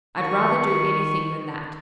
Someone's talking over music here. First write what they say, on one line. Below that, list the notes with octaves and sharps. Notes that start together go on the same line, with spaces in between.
'I'd rather do anything than that.'
D#3 C#6